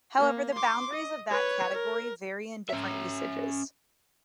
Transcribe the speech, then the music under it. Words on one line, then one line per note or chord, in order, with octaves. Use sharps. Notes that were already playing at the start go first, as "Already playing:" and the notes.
However, the boundaries of that category vary in different usages.
A#3
C6 D6
D#5
B4 C#5
A#4
C#4 E5